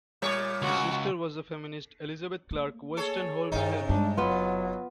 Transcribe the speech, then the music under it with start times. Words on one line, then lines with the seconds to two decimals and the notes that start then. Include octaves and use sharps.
His sister was the feminist Elizabeth Clarke Wolstenholme Elmy.
0.22 A#2 G3 C#5
0.62 C#2 F#4
2.51 A3 A#3
2.97 G#4 A4 C#5
3.52 G2 C3 D#3 D#4 E4
3.89 G2 G#3 D4
4.17 F#1 F#3 B3 F4